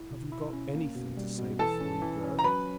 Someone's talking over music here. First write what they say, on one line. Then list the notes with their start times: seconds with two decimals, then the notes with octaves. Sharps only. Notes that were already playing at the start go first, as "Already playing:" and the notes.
"Have you got anything to say before you go?"
Already playing: E4
0.10 B2
0.32 E4
0.53 C#4
0.75 A#3
0.95 B2
1.17 G3
1.38 B2
1.59 E3 A4 A5
1.80 C#4
2.01 E3
2.23 C#4
2.39 A#5
2.44 F#3 B4 B5